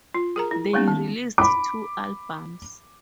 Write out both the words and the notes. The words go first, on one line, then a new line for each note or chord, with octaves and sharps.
They released two albums.
F4
G#4 A#4 A#5
E4
G3 A#3 B3 C#4 D#4
D#3
B5 D6